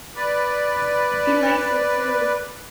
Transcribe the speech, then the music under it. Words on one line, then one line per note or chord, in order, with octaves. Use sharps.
He likes it too.
B4 D5